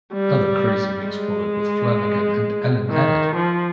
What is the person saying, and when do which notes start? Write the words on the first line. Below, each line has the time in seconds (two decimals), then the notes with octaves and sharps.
Other Crazy Weeks followed with Flanagan and Allen added.
0.13 G3
1.05 G#3
2.90 D#3
3.36 F3